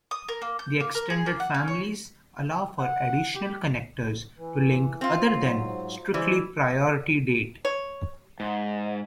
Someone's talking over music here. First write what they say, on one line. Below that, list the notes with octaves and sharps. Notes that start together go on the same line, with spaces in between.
The extended families allow for additional connectors to link other than strictly priority date.
D#6
A#4
A#3
G6
A#3
A#4
G#4
A#3
F#5
C#4
C#5
F#5
G4
E3
C4 F4
G#2 F#3
E3 G#3 C5 D5
C#5
G#2